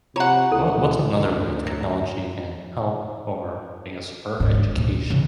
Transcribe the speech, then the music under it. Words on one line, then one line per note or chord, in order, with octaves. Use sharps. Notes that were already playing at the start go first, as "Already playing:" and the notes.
what what's another way technology can help or, I guess, hurt education?
C3 F4 C#5 F#5 A#5
D2 E4 A4
D2
F#3
G#2 D3
D2 A#2
C#3 E3